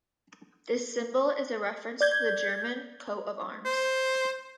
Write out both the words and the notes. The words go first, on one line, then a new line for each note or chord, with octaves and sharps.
This symbol is a reference to the German coat of arms.
D5 G6 G#6
C5